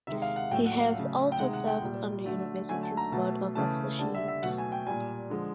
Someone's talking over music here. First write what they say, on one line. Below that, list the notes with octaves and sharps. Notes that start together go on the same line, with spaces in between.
He has also served on the university's Board of Associates.
C3 D#3 G#3 E5
F5
F#5
A2 F#3 A3 G5
F#5
F5
C#3 F#3 A3
G5
C3 D#3 G#3 F#5
F#5
G5
A#2 G3
D3 F#3 A3
D3 F#3 A3 G#5
A5
A#5
B2 F#3 A3 A5
C#3 E3 A3 A5
D3 G3 A5
E5
E5
B2 F#3 A3 F#5
G#5
G5
A#2 G3 G#5
D3 F3 G#3